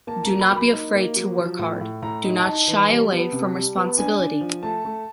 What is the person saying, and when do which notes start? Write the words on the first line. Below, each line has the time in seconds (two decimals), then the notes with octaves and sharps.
Do not be afraid to work hard, do not shy away from responsibility.
0.07 A#3 A5
0.23 A#5
0.29 F#3
0.41 B5
0.51 A#3 B5
0.73 D#4
0.95 A#3
1.16 F#3
1.38 F3
1.59 A2
1.81 A2
2.02 A2 A#5
2.25 D#4
2.36 A5
2.46 D#4
2.68 E3
2.90 G3
3.12 B3
3.32 C3
3.55 G3
3.76 B3
3.97 D4 G#5
4.19 D4
4.41 F3
4.63 A3 A5
4.85 A3